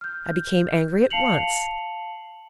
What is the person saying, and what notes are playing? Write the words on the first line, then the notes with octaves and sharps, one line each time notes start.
I became angry at once.
F6 G6
F5 A5 C7 C#7 F7 F#7